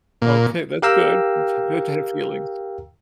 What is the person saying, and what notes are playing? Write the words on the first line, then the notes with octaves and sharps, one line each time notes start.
Okay, that's good. That's good to have feelings.
A#2
G4 A#4 F5 G5 A#5 E6